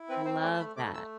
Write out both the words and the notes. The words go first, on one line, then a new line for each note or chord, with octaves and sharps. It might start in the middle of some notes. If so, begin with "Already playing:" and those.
Love that.
Already playing: E4
C4 B4
C4 C5
A3 D5
A5
A3 B5
A3 D6
A3 E6